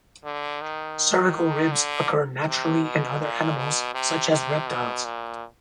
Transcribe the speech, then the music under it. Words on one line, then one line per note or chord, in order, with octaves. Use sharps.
Cervical ribs occur naturally in other animals such as reptiles.
D3
D#3
D3
C3
B2
A#2
B2
C3
C3
B2
A#2